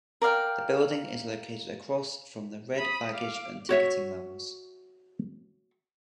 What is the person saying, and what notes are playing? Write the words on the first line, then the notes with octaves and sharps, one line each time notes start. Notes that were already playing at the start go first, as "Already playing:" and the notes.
The building is located across from the Red Baggage and Ticketing levels.
A#4 D5 F5 G5
B5 D#6
F5 D6
F#4 C#5 E5